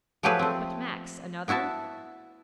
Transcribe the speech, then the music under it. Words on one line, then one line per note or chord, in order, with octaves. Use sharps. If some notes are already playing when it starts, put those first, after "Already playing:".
'But, Max, another?
F3 F#3 A3 G4 G#4 B4
A3 C4
B3 E4 F#4 E5 A5